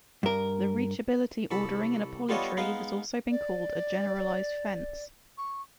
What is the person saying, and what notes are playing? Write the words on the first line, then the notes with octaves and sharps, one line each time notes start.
The reachability ordering in a polytree has also been called a "generalized fence".
G2 A#4
C2 A4 B5
G3 B3 F4 A4 C#5 D#5
G#3 B3 D#4 F5
D5
C#6